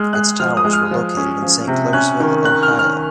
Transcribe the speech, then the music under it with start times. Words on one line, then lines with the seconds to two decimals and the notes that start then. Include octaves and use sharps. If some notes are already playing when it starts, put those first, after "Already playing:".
Its towers were located in Saint Clairsville, Ohio.
Already playing: G#3 F6
0.13 G#3 F#6
0.40 F3 F6
0.57 D#6
0.65 G#3
0.73 F6
0.91 F3
1.17 C#4
1.42 F3
1.68 C3
1.93 C#4 F#6
2.20 D#3
2.45 D#3 F#6
2.63 F6
2.71 D#3
2.79 F6